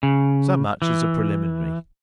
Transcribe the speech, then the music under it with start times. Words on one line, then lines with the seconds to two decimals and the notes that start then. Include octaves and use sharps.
So much as a preliminary.
0.03 C#3
0.82 E3